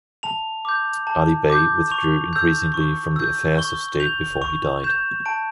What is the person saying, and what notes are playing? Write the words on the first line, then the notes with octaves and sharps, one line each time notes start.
Ali Bey withdrew increasingly from the affairs of state before he died.
A5 F7
D6 G6
A5
D6 G6
C#6 F7
E6 G6
C#6
E6 G6
C#6 G7
G6 F7
C#6 F7
G6 E7
A5 D7